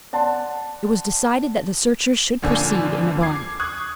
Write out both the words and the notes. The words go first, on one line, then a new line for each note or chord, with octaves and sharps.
It was decided that the searchers should proceed in a body.
D5 F#5 A5 C6
G#1 A#2 D3 F3 G#5
D6 G#6 C7
C#6 D#6 F#6 G#6